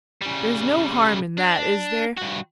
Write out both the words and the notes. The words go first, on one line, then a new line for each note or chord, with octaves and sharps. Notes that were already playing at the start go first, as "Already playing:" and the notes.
There's no harm in that, is there?
C#3 G3
D4
G2 F#4